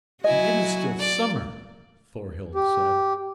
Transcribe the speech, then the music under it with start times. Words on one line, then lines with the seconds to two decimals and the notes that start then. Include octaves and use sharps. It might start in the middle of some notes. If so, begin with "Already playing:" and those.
"And it is still summer!" Thorhild said.
0.24 F#3 E4 F#4 D#5 G#5
0.99 D5
2.55 G4